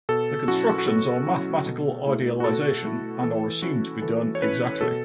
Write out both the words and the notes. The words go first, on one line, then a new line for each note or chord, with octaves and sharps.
The constructions are a mathematical idealization and are assumed to be done exactly.
B2 A4
F#3 C#4 E4 F#4
F#4
B2 A4
F#3 C#4 E4
B2
A3 E4
F#4
B2 A4
A3 E4
E3 A4
C#4 E4 F#4
E3 A4
C#5
C#4 E4 B4
B2 A4